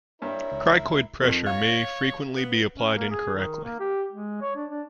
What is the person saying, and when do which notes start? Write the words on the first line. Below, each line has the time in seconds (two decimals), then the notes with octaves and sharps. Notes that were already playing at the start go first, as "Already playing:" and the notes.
Cricoid pressure may frequently be applied incorrectly.
0.22 G2 E4 A#4 C#5
0.51 C#2
1.21 F2 D#3
1.46 C#5 F5
2.36 B3
2.76 C#4
2.95 A#3
3.11 G#4
3.35 D#3
3.65 A#3
3.80 G4
4.12 G#3
4.41 C#5
4.56 D4
4.71 D4